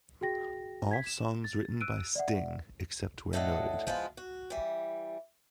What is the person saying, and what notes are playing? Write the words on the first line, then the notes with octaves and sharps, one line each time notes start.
All songs written by Sting except where noted.
F#4 G#4 G5 A#6
G#6 B6
E7
A6
E6 F#6 D7 D#7
D5 E5 F#5
A2 D4 A4 D#5 F#5
F3 G#3 B3 F4
F#4
E3 G3